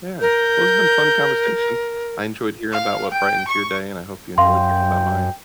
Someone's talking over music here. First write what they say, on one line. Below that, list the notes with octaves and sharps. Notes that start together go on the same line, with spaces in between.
Yeah. Well, it's been fun conversation. I enjoyed hearing about what brightens your day, and I hope you enjoyed hearing about mine.
A#4 G6
F5
G5
C#6
F#2 F5 G5 C6